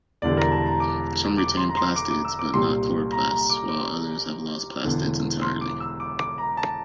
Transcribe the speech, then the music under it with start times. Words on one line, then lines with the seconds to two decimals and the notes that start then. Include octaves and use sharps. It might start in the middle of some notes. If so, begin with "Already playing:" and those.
Some retain plastids, but not chloroplasts, while others have lost plastids entirely.
0.22 E1 E2 D3 G3 D5
0.37 A#4
0.52 A5
0.66 A#5
0.80 D6
1.38 D6
1.57 C6
1.69 A#5
1.77 C6
1.96 D6
2.11 D6
2.25 E6
2.39 D6
2.53 C2 A#2 G3 C6
3.12 A#5
3.30 A#5
3.50 D6
3.69 D6
4.84 E1 E2 D3
5.42 C6
5.61 D6
5.80 E6
6.00 D6
6.19 D6
6.38 A#5
6.57 A5